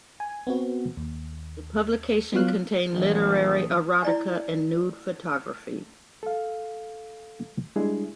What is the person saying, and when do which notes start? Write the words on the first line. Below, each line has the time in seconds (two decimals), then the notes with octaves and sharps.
The publication contained literary erotica and nude photography.
0.20 G#5
0.47 B3 C4 F#4
0.97 D#2
2.33 F#3 B3 F4 C#5 F5 F#6
2.93 A#1 E3 F#3 D#5
3.47 D#6
4.02 E4 D5 G#5
6.23 A4 F5
7.76 G3 G#3 D4 E4 G#4